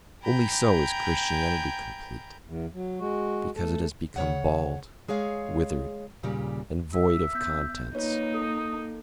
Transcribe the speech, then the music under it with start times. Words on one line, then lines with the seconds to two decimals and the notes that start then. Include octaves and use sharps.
Only so is Christianity complete, because it has become bald, withered, and void of contents.
0.23 G5 G#5 A#5 B5 G6
2.46 E2
2.73 F#3
2.99 G#3 F#4
3.56 A3 A4
4.16 C#3 C#5 F#5
5.08 G#3 G#4 C#5 F5
6.23 D#2 A#2 C#3 G3
6.93 E5
7.35 B3 G6 B6
7.95 A#3 D#4 F4 B4 C#5
8.34 A4 D#6